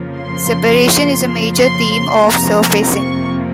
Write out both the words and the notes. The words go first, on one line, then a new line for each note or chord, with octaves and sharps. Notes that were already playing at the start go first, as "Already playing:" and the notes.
Separation is a major theme of "Surfacing".
Already playing: F2 C#3 F3 A#3
C6
C6
F2 C3 F3 A#3 A#5
C#6